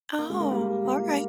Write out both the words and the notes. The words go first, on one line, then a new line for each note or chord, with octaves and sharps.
Oh, alright.
A#3
G#3
A#3
G3
A#3